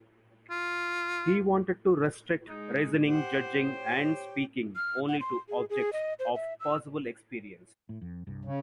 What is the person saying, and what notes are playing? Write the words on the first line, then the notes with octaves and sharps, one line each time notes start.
He wanted to restrict reasoning, judging, and speaking only to objects of possible experience.
F4
G#3 D#4
G4 C5 F#5 G5
G4 C#5 G5
F6
F#5
C6
G#4
G#4
D#5
C5
E5
E6
A2
F2
C2 G2
C#3